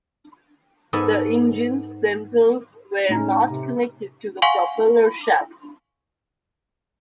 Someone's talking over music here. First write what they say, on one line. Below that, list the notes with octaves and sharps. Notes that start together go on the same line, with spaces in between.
The engines themselves were not connected to the propeller shafts.
G#2 B3 A4 G#5
A2 C#4 D#4 A#5
C3
F5 F#5 G#5 C6 C#6